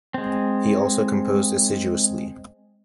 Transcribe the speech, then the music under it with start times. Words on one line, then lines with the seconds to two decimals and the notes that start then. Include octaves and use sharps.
He also composed assiduously.
0.14 G#3 C4